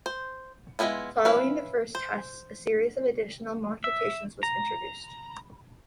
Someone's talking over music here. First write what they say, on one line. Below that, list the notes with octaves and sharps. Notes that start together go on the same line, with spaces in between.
Following the first tests, a series of additional modifications was introduced.
C5
G#3 A3 B3 E4 F4
C#4 E4 B4 F5
C5
E5
A#5